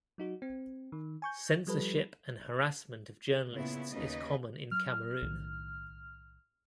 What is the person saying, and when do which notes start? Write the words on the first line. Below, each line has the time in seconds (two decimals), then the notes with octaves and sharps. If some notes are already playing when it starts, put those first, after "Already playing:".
Censorship and harassment of journalists is common in Cameroon.
0.18 F#3 D#4 F#4
0.42 C4
0.92 D#3
1.22 G#5 C#6 G6
1.67 F3 G3 A4 B4
3.53 A#2 C#3 B3 E4
3.92 D#2 C#3 D#4 B4 D#5
4.71 F#3 F6
5.22 B1 A2 D#3